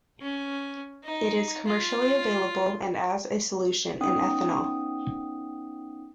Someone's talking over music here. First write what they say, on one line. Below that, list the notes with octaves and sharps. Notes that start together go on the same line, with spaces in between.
It is commercially available and as a solution in ethanol.
C#4
D#4
F4
B3 C#4 D#4 F#5 G5 D#6